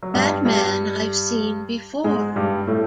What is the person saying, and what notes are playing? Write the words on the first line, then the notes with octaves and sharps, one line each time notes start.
That man I’ve seen before.
F#3
G2 G3
G2 G3
G#2 G#3
G2 G3
A2 A3